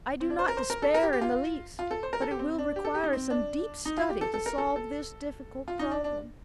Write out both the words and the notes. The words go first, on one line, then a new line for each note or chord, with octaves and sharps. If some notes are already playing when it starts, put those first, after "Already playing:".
I do not despair in the least, but it will require some deep study to solve this difficult problem.
C4
D4
C5
A#4
C5
A#4
A4
A#4
G4
G4
F4
F4
A4
C5
A#4
A4
G4
C4
D4
G4
A4
G4
D#4
C4
D4
D#4
F4
G4
A4
A4
A#4
A4
A4
F4
D#4
D4
D4